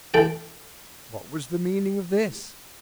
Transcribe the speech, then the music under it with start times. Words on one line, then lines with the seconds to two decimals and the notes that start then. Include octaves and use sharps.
What was the meaning of this?
0.14 E3 A4 G5